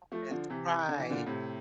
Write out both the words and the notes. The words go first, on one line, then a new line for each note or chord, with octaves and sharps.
Yes. Right.
F3 A3
D3 F3
C3 E3
D3
E3
A#2 D3
A2 C3